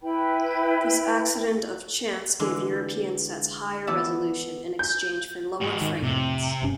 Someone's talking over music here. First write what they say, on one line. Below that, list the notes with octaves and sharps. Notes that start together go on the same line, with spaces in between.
This accident of chance gave European sets higher resolution, in exchange for lower frame-rates.
E4 B4 G5 B5
D3 E3 G#3 D4
E3 B3 A4 D5 E5 A5
G6
G#2 F#4
D#3
F2 A2 C3
F#1 G2 C#4